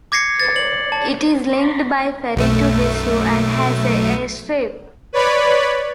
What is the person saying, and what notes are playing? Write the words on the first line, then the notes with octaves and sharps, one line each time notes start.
It is linked by ferry to Bissau and has an airstrip.
D6 G#6 A#6 C7 C#7
A6
F#7
A5
B1 F#2 A3
B4 C#5 D5 B5